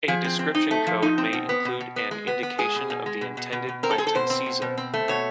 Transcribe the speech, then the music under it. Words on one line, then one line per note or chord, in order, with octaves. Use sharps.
A description code may include an indication of the intended planting season.
F3 G#4
C4
C4
D#4
A3
F3
D#4
C4
B2
B3
B2
B2
B3
G#3
B3
B3
G#3 G#4
B2
B2
G#3
B2
B2
B2
B2
C4 A#4
A4
C4 G#4
A4
B2 C5
C4
B2
B2
C4
A3
B2 C#5